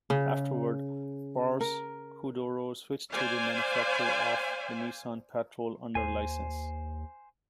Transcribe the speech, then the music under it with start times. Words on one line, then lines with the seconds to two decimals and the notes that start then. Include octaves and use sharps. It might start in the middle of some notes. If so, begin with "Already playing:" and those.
Afterward, Pars Khodro switched to the manufacture of the Nissan Patrol under licence.
0.10 C#3
1.61 A#4
3.12 C5 D5 F5 G#5
5.95 D#2 C5 G#5